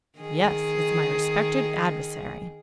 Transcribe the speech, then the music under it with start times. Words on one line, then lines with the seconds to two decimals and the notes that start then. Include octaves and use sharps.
"Yes; it's my respected adversary."
0.19 D#3 G#4